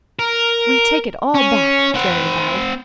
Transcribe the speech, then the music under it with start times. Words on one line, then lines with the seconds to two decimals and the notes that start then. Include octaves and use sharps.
"We take it all back," Jerry vowed.
0.19 A#4
1.34 C#4
1.95 C4 F#5